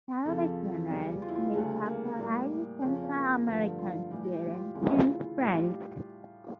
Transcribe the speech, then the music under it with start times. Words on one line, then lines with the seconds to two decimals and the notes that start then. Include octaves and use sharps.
Salvadorans make up the largest Central American students in France.
0.25 F2 C#3 F3 A4
0.90 E2 C#3 G3
1.22 F4
1.28 E4
1.35 F4
1.54 D2 C#3 G3 A3
1.86 A#3
2.19 A2 G3 A#3
2.82 F2 C#3 F3 C#4
3.04 C#4
3.15 A#3
3.47 G2 D3 F3 A3
3.78 F4
4.10 A2 E3 G3 G4
4.33 G4
4.50 G4
4.54 F4
4.75 D2 C#3 E3 F4
4.98 F4
5.07 E4
5.40 A2 G3 F4
5.56 G4